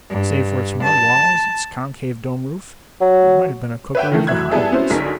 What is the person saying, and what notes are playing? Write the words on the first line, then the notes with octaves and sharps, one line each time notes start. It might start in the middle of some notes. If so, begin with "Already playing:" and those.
Save for its mud walls, its concave, dome-roof, it might have been a cookery of the Highlands.
G2
A5
F#3
B4 C#5 E5 F#5 G5
D#3 E3 A3
F1 E3 F#3 E5 F#6 G#6
G3 B3 E4 G#4 A4 E5
B3 C#4 E4 F#4 C5
B1 D3 D#4 G#4 A#4 B6